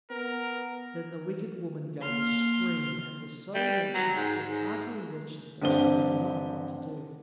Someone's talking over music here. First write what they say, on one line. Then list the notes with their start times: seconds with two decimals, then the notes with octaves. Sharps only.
Then the wicked woman gave a scream, and was so wretched, so utterly wretched, that she knew not what to do.
0.11 B3 A#4
2.02 A#3 C6 F6
3.55 G3
3.95 F#3
4.15 G#2
4.46 G#2
5.62 A1 G2 D3 C4 D#5 G7